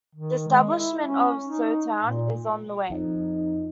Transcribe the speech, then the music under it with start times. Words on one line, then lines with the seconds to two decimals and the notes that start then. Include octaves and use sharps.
The establishment of a Shou Town is on the way.
0.15 D#3
0.48 G#3
0.77 E4
1.01 C#4
1.45 D#4
2.03 A#2
2.90 F2 D#4